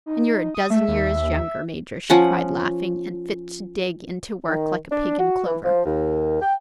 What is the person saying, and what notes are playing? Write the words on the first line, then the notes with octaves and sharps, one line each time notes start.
"And you're a dozen years younger, Major!" she cried, laughing, "and fit to dig into work like a pig in clover."
D#4
D#6
A3 E5
D#2
F3 C#4 F#5
D#3
D4
F#4
E3
F3
D#2
G5